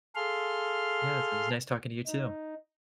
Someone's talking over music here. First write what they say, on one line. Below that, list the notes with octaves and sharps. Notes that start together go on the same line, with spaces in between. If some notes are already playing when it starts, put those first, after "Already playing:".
Yes, it was nice talking to you too.
G#4 A4 F5 C6 F6
D#4